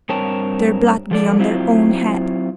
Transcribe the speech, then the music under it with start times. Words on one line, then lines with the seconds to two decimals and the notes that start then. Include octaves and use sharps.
Their blood be on their own head!
0.09 G2 C4 A#4 C#5 A5
1.11 F3 A4 D5
1.39 F#3 C4 E4 F4